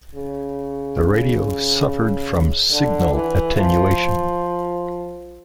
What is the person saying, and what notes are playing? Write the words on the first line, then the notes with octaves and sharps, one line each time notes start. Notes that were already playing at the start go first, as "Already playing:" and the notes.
The radio suffered from signal attenuation.
C#3
D3
E3
F3